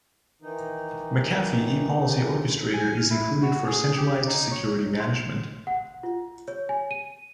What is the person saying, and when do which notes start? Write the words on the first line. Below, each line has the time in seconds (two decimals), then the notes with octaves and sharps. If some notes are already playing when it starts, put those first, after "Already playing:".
McAfee ePolicy Orchestrator is included for centralized security management.
0.42 D#3 E3 D#4
2.74 G#5
2.97 F6
3.10 E4
3.42 F#4
3.67 G#4
3.98 G4
4.27 D#4
4.51 C#5
5.00 C6
5.67 F#5
6.03 F4
6.48 C#5
6.69 G#5
6.91 D#7